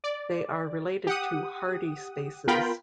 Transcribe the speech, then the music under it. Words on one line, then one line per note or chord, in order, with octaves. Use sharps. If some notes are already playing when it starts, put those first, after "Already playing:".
They are related to Hardy spaces.
D5
G4 F#5 D#6
B3 F4 A#4 G5 B5